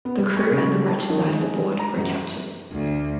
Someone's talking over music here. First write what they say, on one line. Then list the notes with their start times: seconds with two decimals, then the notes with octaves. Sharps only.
The crew and the merchandise aboard were captured.
0.05 B3
0.18 G3
0.37 C#6
0.51 C#3
0.72 G3
0.88 A5
1.10 D#3
1.30 G#3
1.79 A#5
1.97 F#2
2.72 D2